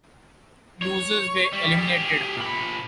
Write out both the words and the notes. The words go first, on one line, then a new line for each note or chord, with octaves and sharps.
Losers were eliminated.
C#5
G3
G4 G#4
A#2 B5